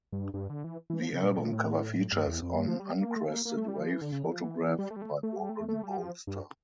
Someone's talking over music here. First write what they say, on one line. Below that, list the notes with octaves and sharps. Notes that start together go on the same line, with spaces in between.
The album cover features an uncrested wave photographed by Warren Bolster.
G2
G2
D3
E3
E3
F3
C#3
A#2
A#2
A2
G2
E2
F2
G2
F3
G3
A#3
A3
A#3
A#3
A3
G3
F3
E3
D3
C#3
E3
F3
E3
G3
A3
G3
A3
A3
G3
A3
A3
G3
F3
G2